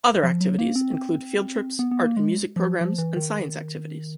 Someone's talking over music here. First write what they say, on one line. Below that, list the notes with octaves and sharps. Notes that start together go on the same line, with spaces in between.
Other activities include field trips, art and music programs, and science activities.
F3
F#3
A#3
C4
B3
B3
A#3
G#3
F3
F3
E3
D#3